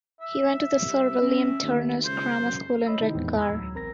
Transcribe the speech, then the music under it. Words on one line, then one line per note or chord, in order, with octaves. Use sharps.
He went to the Sir William Turner's Grammar School in Redcar.
E5
C2
C#4
D#2
C#2 C5
F#2
C#5 D#5 B5 E6
C3 D#3 C4 D#4 E4
E2 A2 E3 G#3 B3 C4
A#5 B5 E6 G#6
D2 F#3 E6
A1 C4 A#4 A#5 A#6